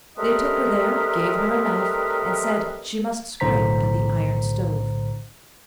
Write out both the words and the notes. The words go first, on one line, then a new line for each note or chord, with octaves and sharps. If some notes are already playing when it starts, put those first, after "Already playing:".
They took her there, gave her a knife, and said she must scrape at the iron stove.
G3 A3 C4 A#4 B4 D#5
B1 A2 D3 C5 A#5 B6